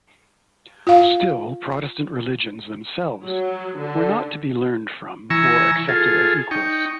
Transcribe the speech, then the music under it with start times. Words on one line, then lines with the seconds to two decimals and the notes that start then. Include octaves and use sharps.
Still, Protestant religions themselves were not to be learned from or accepted as equals.
0.87 F4 F5
3.23 F#3
3.77 D3
5.30 E3 G#5 A#5 C#6 E6
5.89 F4 G#4 A4
6.51 D#4 G5 C#6